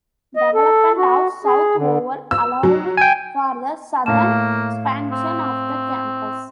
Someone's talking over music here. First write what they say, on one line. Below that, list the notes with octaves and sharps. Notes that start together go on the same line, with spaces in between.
Development of South Oval allowed for the southern expansion of the campus.
D#5
A4
F#4
G#4
D3
E6
F#3
G5 G#5
A2 A#3 F5 A5 E7
C4